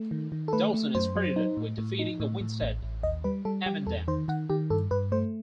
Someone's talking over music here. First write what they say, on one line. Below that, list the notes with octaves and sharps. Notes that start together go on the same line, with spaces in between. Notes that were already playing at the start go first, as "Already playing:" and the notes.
Dawson is credited with defeating the Winstead Amendment.
Already playing: A3
D#3
D#3
A4
A3 B4
A3
F#2 C5
F#3
D#4
A2
A2
D#4
A2
A2
A1
A1
D#2 D#5
G3 B4
G3 A4
G3 G4
E2 A4
D#3 C5
D#3 F#5
D#3 G4
G2 A4
G2 B4
A3 C5